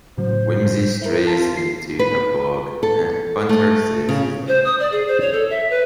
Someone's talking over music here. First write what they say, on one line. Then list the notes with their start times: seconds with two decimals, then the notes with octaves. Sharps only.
Wimsey strays into a bog, and Bunter saves his life.
0.18 A2 C#3 F#3 C5
1.02 E4 A#4
1.27 F4 A5
1.57 C7
1.99 B4
2.83 A4
3.49 A3
4.09 C#3
4.48 C5
4.65 D#6
4.80 D5
4.92 G#4
5.08 C5
5.21 C#5
5.33 A4
5.50 E5
5.70 B4